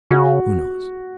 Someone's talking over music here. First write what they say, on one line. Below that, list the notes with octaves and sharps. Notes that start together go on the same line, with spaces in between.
Who knows?
C#3 F#4